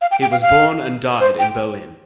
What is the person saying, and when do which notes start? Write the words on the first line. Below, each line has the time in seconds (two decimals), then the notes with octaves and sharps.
He was born and died in Berlin.
0.01 F5
0.11 G5
0.22 G5
0.31 F5
0.42 F5
1.20 C5
1.39 G5